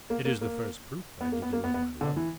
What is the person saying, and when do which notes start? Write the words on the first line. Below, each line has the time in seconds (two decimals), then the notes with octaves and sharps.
"It is the first proof I give you of my love."
0.10 A#3
0.25 A#3
0.41 A#3
1.21 B3
1.32 A#3
1.42 B3
1.53 A#3
1.64 B3
1.74 B3
2.01 D3
2.16 E3